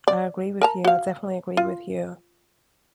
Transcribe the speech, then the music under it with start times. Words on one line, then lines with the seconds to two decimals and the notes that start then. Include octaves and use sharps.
I agree with you, I definitely agree with you.
0.08 D5
0.61 A#4 A5 A#5
0.84 F#4 F5
1.57 F4